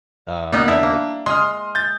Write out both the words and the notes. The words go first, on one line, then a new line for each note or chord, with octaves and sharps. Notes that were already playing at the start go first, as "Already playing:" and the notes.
um, you know, like
G3 A#3 B3 D#4
D4 E4
A#3
G#3 C6 D#6 F6
G6 A6